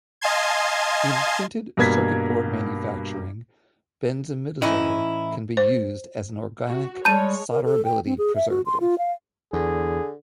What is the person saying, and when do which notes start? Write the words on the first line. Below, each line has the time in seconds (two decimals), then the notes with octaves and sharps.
In printed circuit board manufacturing, benzimidazole can be used as a organic solderability preservative.
0.21 D#5 F5 G#5 A5 C6 G#6
1.77 G2 B2 A#3 G#6 B6
4.62 A2 E3 C#4 D#4 E4
5.57 C5
6.66 F#4
7.05 G3 G#3 C#5 A5 G6 D#7
7.51 A#4
7.65 A4
7.85 G5
8.06 C4
8.18 G#4
8.36 E5
8.50 F#4
8.66 C6
8.80 F4
8.98 F5
9.53 E2 D3 G#4